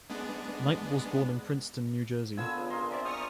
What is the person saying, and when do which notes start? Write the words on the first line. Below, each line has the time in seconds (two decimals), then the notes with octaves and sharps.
Knight was born in Princeton, New Jersey.
0.10 G#3 B3 D4
2.37 D3 B3 F4 G#5 E6
2.56 C#3
2.70 A#4 D#5 A#5 C6
2.90 C4 D5 E5
3.05 C5 D5 C#6 D#6 F6